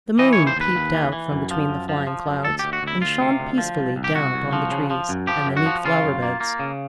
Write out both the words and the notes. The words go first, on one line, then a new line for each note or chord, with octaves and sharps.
The moon peeped out from between the flying clouds, and shone peacefully down upon the trees and the neat flower-beds.
E3 D#5
D#2 C#5
C5
D#2 B4
D#2
E3
E3
F#2
F3
F#2
F3
F3
F#2
D2 A4
D2 G4
F#4
D2 E4
D2 F4
C3
D2
F3
C2
C2
G4
C2 F#4
C2
F3
C#3
F3
F#2
F3 G4
F#2
F#4
F3
C#3 F4
F#2
A#3
A#3
C#3